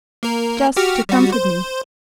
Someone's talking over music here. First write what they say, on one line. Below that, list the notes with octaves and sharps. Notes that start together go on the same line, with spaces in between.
Just to comfort me.
A#3 A#4
F#4 G4 F6
G3 F#4
C5